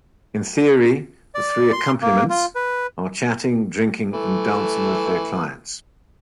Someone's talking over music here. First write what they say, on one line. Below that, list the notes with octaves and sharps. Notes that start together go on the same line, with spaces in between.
In theory, the "three accompaniments" are chatting, drinking and dancing with their clients.
D5
C6
A#3
F4
B4
E3 A3